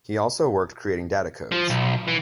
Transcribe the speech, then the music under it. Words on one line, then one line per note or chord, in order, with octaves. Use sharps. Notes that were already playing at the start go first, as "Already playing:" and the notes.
He also worked creating data codes.
F3
B1
E3